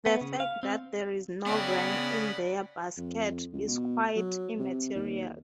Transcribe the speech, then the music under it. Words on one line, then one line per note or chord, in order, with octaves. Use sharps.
The fact that there is no wren in their basket is quite immaterial.
B3
C#3
F5
C4
C#3 G#3 B3 D5 F#5 G5 B5
F2
C#2
B2
F#3
C3
D#2